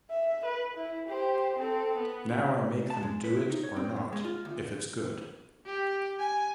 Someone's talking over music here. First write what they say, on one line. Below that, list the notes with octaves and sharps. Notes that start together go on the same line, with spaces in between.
Now I make them do it or not, if it's good.
E5
B4
E4
G4 C5
C4 A4
B3
A5
G#3
B4
E4
D#4
C#5
C4
B2
G#3
F4
D2
G4
G#5